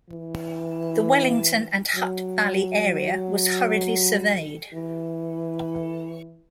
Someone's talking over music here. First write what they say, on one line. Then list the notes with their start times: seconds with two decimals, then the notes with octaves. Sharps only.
The Wellington and Hutt Valley area was hurriedly surveyed.
0.10 E3
1.96 F#3
4.73 E3